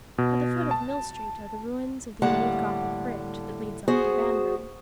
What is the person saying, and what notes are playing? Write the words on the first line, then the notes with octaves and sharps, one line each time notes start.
At the foot of Mill Street are the ruins of the old Gothic bridge that leads off to Banbury.
B2
A5
A2 D3 G3 A#3 F#5 A5
B3 F#4 G#4 C5